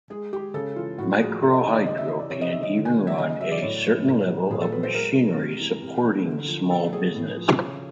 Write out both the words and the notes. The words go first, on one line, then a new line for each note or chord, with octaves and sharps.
Microhydro can even run a certain level of machinery supporting small businesses.
G#3 G#4
G#3 G4
C#3 A4
E3 F4
A2 F#4
F3 G#4
C3 A4
D#5
D#3 D#5
D5
C#3 D#5
E5
E3 D#5
D5
C3 C#5
D#5
D#3 E5
D#5
D3
G#5
F#3
E5
C#3 D#5
D#5
F#3 E5
D5
A2 C#5
F3
A2
F#3
A#2 G#4
A4
F#3 B4
C5
G#3 A#4
G#3
C3
E3
C3
E3
D3
F3
B2 A4
F#3 G#4
A2
F3
C#3